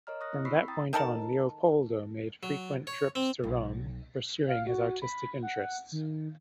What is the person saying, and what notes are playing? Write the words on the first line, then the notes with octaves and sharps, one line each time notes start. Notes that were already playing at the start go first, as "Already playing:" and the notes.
From that point on Leopoldo made frequent trips to Rome, pursuing his artistic interests.
A#4 C#5 D#5 A#5 F6
C#6 D#6 F6 F#6 A#6
C4 E4
B5 C#6 E6 B6 C7
G5 A#5 D#6 A6
D#3 A4 A#4 A5
F#3
C#5
C4
B1
F5
F#4
B5
F#5
D#3